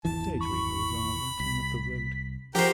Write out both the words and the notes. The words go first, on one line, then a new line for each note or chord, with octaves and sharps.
Stage-wheels are rattling up the road.
G#1 E2 E3 A5
B5 C#6
C2 B6
F3 F#4 G4 A#4 C5 G5